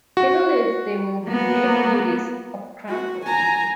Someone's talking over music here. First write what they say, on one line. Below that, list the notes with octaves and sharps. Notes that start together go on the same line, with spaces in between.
He believes they will be great beauties of Cranford.
F#4
A#3 B3
F#4
G#5 A#5